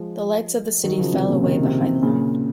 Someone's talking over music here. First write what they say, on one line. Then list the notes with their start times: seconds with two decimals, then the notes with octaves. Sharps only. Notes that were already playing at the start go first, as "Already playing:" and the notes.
The lights of the city fell away behind them.
Already playing: F3 G#3
0.84 D#3 F#3
0.99 C#3 F3
1.13 C3 D#3
1.28 A#2 C#3
1.43 C3 D#3
1.63 C3
1.83 C3
2.03 A#2 C#3